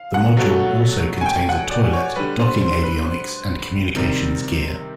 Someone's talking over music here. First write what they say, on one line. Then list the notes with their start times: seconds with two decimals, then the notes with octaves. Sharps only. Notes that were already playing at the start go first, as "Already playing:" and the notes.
The module also contains a toilet, docking avionics and communications gear.
Already playing: F5
0.14 F#5
0.37 B2 F#3 A3
1.21 G#5
1.26 G5
1.49 F#5
1.71 D5
1.93 C#5
2.16 D3 G3 B4
2.39 C5
2.62 C5
2.83 B4
3.05 C5
3.96 C3 D#3 G3